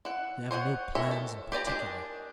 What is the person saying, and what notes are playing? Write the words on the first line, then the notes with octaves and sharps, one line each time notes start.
They have no plans in particular....
E4 F#5
C5 C#5 D#5 F#5
A4 A#4 C#5 E5
A4
G4 B4 D5 A#5
D#3 G#3 D4 G4